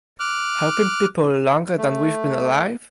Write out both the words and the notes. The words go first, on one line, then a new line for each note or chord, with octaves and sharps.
Helping people longer than we’ve been alive?
D6 F6 F#6
A3